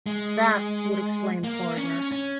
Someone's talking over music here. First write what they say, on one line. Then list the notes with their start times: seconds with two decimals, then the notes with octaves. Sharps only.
That would explain the foreigners.
0.06 G#3
1.44 A#3
1.77 C#4
2.12 C#4